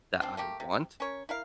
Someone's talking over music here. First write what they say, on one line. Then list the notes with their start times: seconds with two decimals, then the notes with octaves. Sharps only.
that I want
0.21 C4 D4 F4
0.37 A3 A#3 G4
0.60 C3
1.00 C#4 A#4 C#5
1.29 E4 A#4 F5